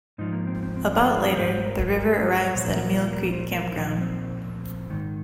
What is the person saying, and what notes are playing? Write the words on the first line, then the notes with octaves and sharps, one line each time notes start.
About later, the river arrives at Emile Creek Campground.
G#2 F3 D#4
A#3
C4
C4
C4
F4
G#4
G#2 D#3 C5
A#4
A#2 F3 C5
A#4
F4
A#4
C5
A#4
A#2 F3 D#4
C4
G#2 D#3